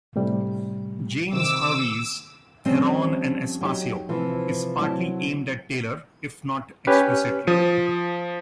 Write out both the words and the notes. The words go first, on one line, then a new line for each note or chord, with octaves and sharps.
James Hervey's "Theron and Aspasio" is partly aimed at Taylor, if not explicitly.
A2 C3 G3
C3 D#3 C4 D6 E6
F3 G3 C4 C#4
F#3 D#4 G4
C3 E3 F3
C3 F#3 E4 A5
C#4 G4 B4
F3 D#6